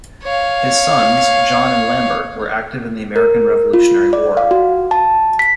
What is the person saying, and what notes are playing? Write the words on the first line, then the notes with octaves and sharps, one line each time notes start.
His sons, John and Lambert were active in the American Revolutionary War.
C#5 F5
A#4
F4
D5
F5
F#4
A5
B6